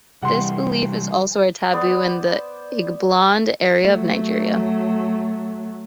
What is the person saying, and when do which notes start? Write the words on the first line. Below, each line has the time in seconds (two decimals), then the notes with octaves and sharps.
This belief is also a taboo in the Igboland area of Nigeria.
0.22 C3 E3 G3 F#5 C6
1.73 B3 C5 D5
3.82 F#3 A3